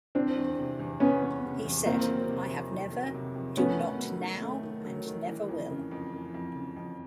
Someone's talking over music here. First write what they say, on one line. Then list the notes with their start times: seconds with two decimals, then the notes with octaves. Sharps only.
He said: I have never, do not now, and never will.
0.15 E3 C4 D4
0.37 E2
0.59 C3
0.79 E2
1.00 E3 B3 C#4
1.22 E2
1.44 C3
1.65 E2
1.86 D#3 A#3 C4
2.07 F#3
2.28 C3
2.50 F2
2.72 D#3
2.93 F#3
3.14 C3
3.35 F2
3.57 A3 B3 C#4
3.78 D#3
3.99 F#3
4.21 D#3
4.42 A3
4.63 D#3
4.85 F#3
5.06 D#3
5.27 E3
5.48 F2
5.70 C#3
5.91 F2
6.13 E3
6.34 F2
6.55 C#3
6.76 F2